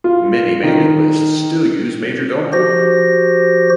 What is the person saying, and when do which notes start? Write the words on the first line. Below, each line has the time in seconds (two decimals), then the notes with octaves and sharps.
Many mailing lists still use Majordomo.
0.04 F4
0.63 D#3
2.53 F3 F#4 G4 C5 A#6